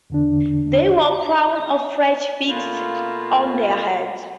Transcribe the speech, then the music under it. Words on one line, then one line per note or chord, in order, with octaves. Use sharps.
They wore crowns of fresh figs on their heads.
E2 D3 D4
B2 A3 A#3 F4